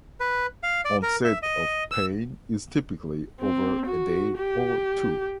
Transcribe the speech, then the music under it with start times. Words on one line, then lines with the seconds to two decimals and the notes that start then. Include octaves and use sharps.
Onset of pain is typically over a day or two.
0.20 B4
0.63 F5
0.85 D5
1.03 A#4
1.24 E5
1.43 D#5
1.91 E6
3.40 C4
3.86 F#4
4.38 G4